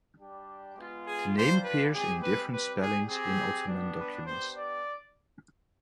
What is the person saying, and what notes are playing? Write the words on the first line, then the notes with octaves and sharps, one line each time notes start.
The name appears in different spellings in Ottoman documents.
G3 D4 G4
G#3 B3 F4
G#4
G3 D4 F4 C5
B4
G#3 C4 G4 G#4
B4
G3 C4 G4 B4
G#4
C4 G4 G#4
G3 B3 D4
B4
B3 D4 G4 C5
D5